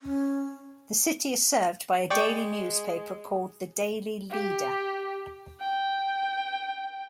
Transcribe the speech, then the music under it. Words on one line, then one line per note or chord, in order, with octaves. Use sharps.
The city is served by a daily newspaper called "The Daily Leader".
C#4
G#3 D5 G5 C#6
G4
G5